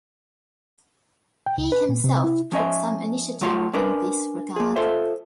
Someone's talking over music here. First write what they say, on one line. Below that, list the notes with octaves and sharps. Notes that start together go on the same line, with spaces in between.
He himself took some initiative in this regard.
G5
C#2
B4
A#2
C3
E4
F3 C#4 D#5 E5
F#3 A3 F4 C#5 C6
C#4 D4 A#4 B4
A#3 G#4
F4 A4 C5 E5